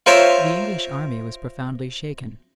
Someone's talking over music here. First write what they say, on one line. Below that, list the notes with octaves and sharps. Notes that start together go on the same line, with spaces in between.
The English army was profoundly shaken.
F4 A#4 C5 C#5 E5